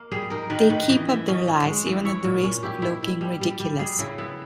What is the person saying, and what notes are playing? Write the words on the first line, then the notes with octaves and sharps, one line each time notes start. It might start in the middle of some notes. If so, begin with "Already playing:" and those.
They keep up their lies, even at the risk of looking ridiculous.
Already playing: A#3
G3 G#4
D#4 A#4
D#3 B4
D#3 B4
E3 D#5
E3 E5
C#4 D#5
C#4 D#5
G#3
E3
E4 C#5
A#2
C#4
E4 G4
E4
E4
G3
G3
G3
G3 G#4
C#3 E4
B3 E4